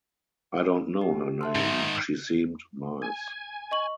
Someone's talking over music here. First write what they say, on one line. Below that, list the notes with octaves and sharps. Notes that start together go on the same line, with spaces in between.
I don’t know her name. She seemed nice.
G4
E5 A5 C6
G#2 D#3 D#4
G#5
D#5 C#6 F#7